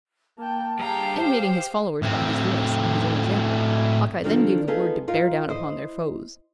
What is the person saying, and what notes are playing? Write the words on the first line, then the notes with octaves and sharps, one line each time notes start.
Animating his followers by his voice, and his own example, Hawkeye then gave the word to bear down upon their foes.
A#3 G5 A5
G2 G4 G#4 F5 G5 A#5
C5
A2 C4
D3 D#3 F3 G3 C4 D4
B3 D#4 F4 G#4 A4
D#4 F4 A#4
E4 C5 D#5